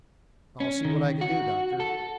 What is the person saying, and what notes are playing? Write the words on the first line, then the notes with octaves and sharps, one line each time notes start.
"I'll see what I can do, Doctor."
C#4
D#3
F#4
A4